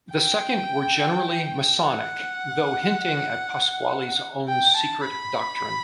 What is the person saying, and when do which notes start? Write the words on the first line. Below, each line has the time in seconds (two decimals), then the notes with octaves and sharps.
The second were generally Masonic, though hinting at Pasqually's own secret doctrine.
0.13 G5
1.87 F#5
4.48 G5
4.77 A5
5.06 B5